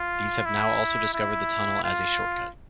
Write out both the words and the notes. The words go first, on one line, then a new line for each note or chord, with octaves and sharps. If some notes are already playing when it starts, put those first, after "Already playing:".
These have now also discovered the tunnel as a "shortcut".
Already playing: F4
E4
E4
F4